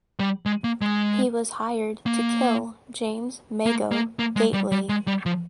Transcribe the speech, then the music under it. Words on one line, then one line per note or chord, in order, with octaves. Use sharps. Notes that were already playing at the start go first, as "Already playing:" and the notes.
He was hired to kill James "Mago" Gately.
G3
G#3
A#3
G#3
A#3
A#3
A#3
A#3
G#3
G3
G3
G#3
G3
F3